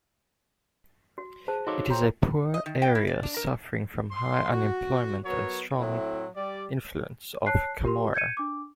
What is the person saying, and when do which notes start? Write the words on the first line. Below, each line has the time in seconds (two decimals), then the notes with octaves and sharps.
It is a poor area, suffering from high unemployment and strong influence of Camorra.
1.18 F#4
1.48 G#4 C5 A5
1.67 D#4 F#4 A4 C#5 F5 C6 D6
1.90 C5 G5 A#5 C6
2.54 D#5
2.66 D#3
2.82 G5
2.95 E4
3.07 D5
3.23 D4
3.37 A#4
4.12 C6
4.50 F#4
5.25 F#3 B3 A#4 C#5
5.79 A2 F#3 C4 E4
6.35 G3 D5
7.46 C#5 A5 F#6 C7
7.83 F4 G4 A#4 C6
8.14 G6 G#6 C#7 D#7
8.37 D4 D6